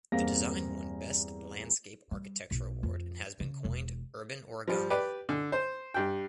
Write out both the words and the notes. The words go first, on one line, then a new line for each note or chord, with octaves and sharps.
The design won Best Landscape Architecture Award and has been coined "urban origami".
E2 G2 A#3 C4 F5 A#6
G3
B1
F2
C#3
E1
F3 G3
G4 B4 D5
D3
C5
G2 G5